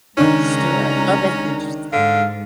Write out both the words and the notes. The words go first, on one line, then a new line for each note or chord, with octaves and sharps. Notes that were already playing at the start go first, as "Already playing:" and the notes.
Sure, oh, that's interesting.
C#2 D#3 C#4 D4 A#5
G#2 D3 F5